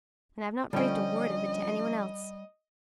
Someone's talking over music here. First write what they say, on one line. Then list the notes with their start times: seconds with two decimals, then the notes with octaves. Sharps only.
And I've not breathed a word of it to any one else.
0.73 D3 F3 G3 C#4 D#5 G5